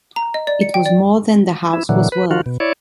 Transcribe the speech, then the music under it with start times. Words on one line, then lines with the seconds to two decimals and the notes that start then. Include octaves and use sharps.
It was more than the house was worth.
0.16 A#5
0.34 D#5
0.47 D5
0.61 C#7
0.74 G5
0.86 D5
1.73 E4
1.89 A#2 D3 E3 F#3
2.12 B4
2.31 F3 F4 F#4
2.46 B2
2.60 E4 C#5 D5